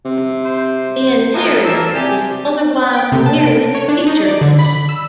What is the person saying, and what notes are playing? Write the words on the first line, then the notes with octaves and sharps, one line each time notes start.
The interior is otherwise nearly featureless.
C3
C5
A2 E3 F3 D#4
E2 A#3 A5 E6
C3 G4 G#4 D5
G5
C3
A5
D7
C#5
D4
D#4
D5
D3
B5
E6